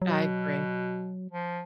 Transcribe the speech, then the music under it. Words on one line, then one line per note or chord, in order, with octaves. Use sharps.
I agree.
B2 F#3
F3